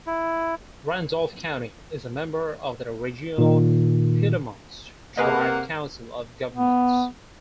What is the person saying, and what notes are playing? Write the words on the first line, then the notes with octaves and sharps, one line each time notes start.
Randolph County is a member of the regional Piedmont Triad Council of Governments.
E4
A#2 D#3
C3 A#3 G#4 B4 D#5 F#5
B3